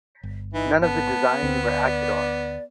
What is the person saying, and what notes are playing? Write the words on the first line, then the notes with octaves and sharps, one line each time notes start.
None of the designs were acted on.
G1
E3 D#4
B3 A5
D2 C4
D5